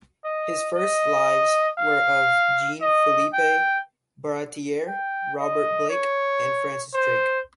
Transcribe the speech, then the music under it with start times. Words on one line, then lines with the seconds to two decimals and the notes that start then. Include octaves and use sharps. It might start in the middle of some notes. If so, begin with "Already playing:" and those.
His first "lives" were of Jean-Philippe Baratier, Robert Blake, and Francis Drake.
0.24 D#5
0.76 D#5
1.78 F5
2.81 D#5
3.33 G5
4.88 G5
5.39 D#5
5.90 C#5
6.94 C5